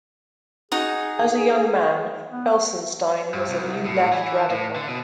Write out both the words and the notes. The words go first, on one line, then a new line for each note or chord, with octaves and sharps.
As a young man, Felsenstein was a New Left radical.
D#4 F#4 G#4 D#5
B3
G2
C2
A2
E3
A2
D3
B2